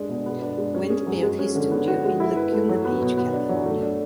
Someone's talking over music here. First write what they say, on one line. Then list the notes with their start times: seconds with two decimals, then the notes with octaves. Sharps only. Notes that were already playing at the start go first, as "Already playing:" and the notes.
Wendt built his studio in Laguna Beach, California.
Already playing: G#3 D4
0.09 B2
0.26 B3
0.41 D4
0.58 G#3
0.74 C#4
0.90 G#4
1.07 F#3
1.23 G#3
1.39 C#4
1.55 D3
1.71 B3
1.88 F#4
2.04 G#3
2.20 E4
2.36 B4
2.52 A3
2.69 F#3
2.85 B3
3.02 B2
3.17 B3
3.33 D4
3.49 F#3
3.66 A3
3.83 D4